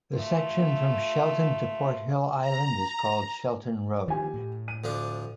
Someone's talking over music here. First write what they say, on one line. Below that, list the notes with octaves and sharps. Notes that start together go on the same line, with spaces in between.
The section from Shelton to Porthill island is called Shelton Road.
A3 F4
A#5
D#3 F3 G4 G#5
A2
D#7
D2 F3 D4